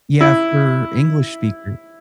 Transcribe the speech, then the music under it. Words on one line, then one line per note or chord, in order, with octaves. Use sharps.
Yeah, for English speaker
E4